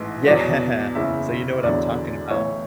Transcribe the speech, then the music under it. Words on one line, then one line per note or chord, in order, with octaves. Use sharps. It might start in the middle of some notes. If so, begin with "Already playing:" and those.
Yeah, so you know what I'm talking about.
Already playing: A1 G#2 E3
E2 B2 F#3 D5
F#1 E2 C#3 E5
E1 E2 D3 F#3 D5
B1 A2 E3 C#5